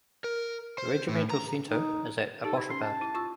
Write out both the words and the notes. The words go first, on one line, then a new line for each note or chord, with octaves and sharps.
The regimental center is at Abbottabad.
A#4
C5
A2
A#5
D#4
D#4 G4 A4
E4
C#4 C6
A5
E4
F4 C#6 E6